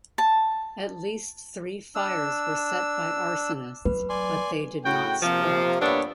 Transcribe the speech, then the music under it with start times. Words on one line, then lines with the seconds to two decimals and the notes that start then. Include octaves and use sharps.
At least three fires were set by arsonists, but they did not spread.
0.18 A5
1.95 D4 E6
3.85 F#3 B4
4.10 D5 G#5 C6
4.85 A2 C#3 F#4 G5
5.23 C3 F3 A#3
5.81 G2 A#3 B3 D4 C#5 E5